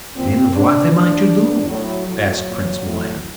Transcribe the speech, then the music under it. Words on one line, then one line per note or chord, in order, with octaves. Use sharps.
'Then what am I to do?' asked Prince Milan.
A#2 C4
A#2 D4
A2 D4
A2
A2 F#3
A2 F#3
A#2
A2